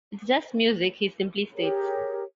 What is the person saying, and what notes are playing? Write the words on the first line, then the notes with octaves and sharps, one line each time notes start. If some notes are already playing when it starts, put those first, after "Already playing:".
"It's just music," he simply states.
G4 G#4 A#4 C#5